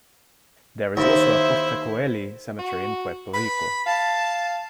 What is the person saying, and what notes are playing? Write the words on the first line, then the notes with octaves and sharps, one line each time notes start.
There is also a Porta Coeli cemetery in Puerto Rico.
D#2 E4 C5 E5
F#4
B4 B5
F5 A5